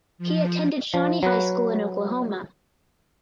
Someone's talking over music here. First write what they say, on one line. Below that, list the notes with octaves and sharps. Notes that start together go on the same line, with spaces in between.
He attended Shawnee High School in Oklahoma.
F3
F3
F#3 B4